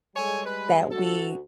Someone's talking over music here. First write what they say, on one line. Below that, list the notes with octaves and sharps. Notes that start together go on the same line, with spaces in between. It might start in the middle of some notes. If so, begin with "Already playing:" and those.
that we
G3 G#3 A4 C#5 G#5
B4
D2 F#4 A4